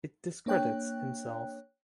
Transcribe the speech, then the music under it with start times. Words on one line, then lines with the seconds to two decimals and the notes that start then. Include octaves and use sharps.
It discredits himself.
0.46 A#3 D4 C#5 G5 F#6